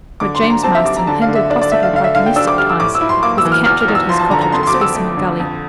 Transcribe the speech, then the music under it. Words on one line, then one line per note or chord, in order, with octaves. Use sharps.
But James Marston, hindered possibly by domestic ties, was captured at his cottage at Specimen Gully.
D3 D6
C6
D3
A#5
C4 A5
E5
G3 D6
A#5
D3 A5
F5
D3
E5
D4 D5
D5
A3 E5
F5
D3 F5
E5
D3 F5
G5
D4 E6
D6
G3 F6
E6
A2 D6
E6
E4
C6
A#3 D6
E6
E3
F6
E2 F6
F6
E2
E6
F3 C6
A5
D3 A#5
A#5
F2 C6
C6
D6
C4
E6
A3
D3
F2